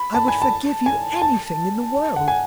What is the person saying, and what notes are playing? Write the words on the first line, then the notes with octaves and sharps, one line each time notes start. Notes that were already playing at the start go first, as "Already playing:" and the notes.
I would forgive you anything in the world!
Already playing: B5
A5
G#5
A5
G#5
A5
F#5
G#5